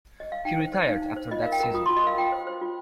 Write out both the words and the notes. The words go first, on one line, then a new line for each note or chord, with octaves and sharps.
He retired after that season.
D#5
F5
D#4 G5
C5
C5
D#4 F5
D#4
C5
F4 D#5
F5
A#4
G5
A#4 A#5
F4 D#6
C6
F4
D#5
A#4 F5
F4 G5
C5
C5
F4